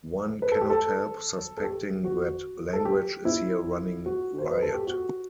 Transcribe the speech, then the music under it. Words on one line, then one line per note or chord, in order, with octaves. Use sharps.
One cannot help suspecting that language is here running riot.
B4
A4
G4
A4
A4
G4
F#4
A4
G4
E4
F#4
C5
B4
A4
G4
F#4